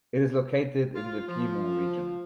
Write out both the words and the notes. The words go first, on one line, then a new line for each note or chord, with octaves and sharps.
It is located in the Piedmont region.
F4
F3